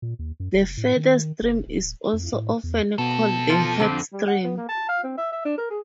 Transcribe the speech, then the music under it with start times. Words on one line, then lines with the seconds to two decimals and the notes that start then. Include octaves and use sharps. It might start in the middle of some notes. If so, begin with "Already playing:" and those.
The furthest stream is also often called the headstream.
0.02 A#2
0.19 D#2
0.40 F#2
0.54 F1
0.77 A2
0.96 D#3
1.42 F#1
1.67 D1
2.13 F2
2.33 A2
2.64 E2
2.98 F2 B2 B3 A4
3.50 F3
3.80 D3 G3 C4
4.12 G3
4.27 F#5
4.44 B3
4.57 A#3
4.68 A5
4.88 F5
5.03 C4
5.18 E5
5.32 E5
5.45 D4
5.57 A#4
5.70 G#4